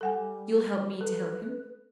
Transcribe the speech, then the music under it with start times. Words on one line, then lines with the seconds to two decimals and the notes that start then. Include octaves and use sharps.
You'll help me to help him?
0.01 G3 A4 F#5 G#5
1.01 A4 B4